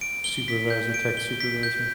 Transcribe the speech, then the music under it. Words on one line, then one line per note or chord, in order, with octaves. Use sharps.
Supervisor tech supervisor.
D7
G7
B6
G6
D7
G7
B6
G6